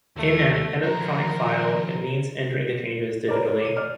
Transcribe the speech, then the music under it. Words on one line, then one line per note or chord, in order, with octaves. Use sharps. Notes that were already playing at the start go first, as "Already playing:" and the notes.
In an electronic file, it means entering the changes digitally.
D#2 A3
D#3 F3 A#4 A#5
A#4 B4 C#5 D5
D6 D#7
D5 F6